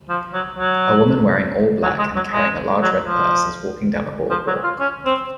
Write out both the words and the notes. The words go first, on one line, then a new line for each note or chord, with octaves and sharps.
A woman wearing all black and carrying a large red purse is walking down a boardwalk.
F3
F#3
F#3
F#3
G#3
F#3
G#3
F#3
F3
F3
F#3
F4
C#4
C4